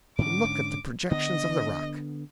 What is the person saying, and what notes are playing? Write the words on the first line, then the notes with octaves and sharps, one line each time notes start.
Look at the projections of the rock.
G#2 D3 C#4 D6
D3 B3 D#5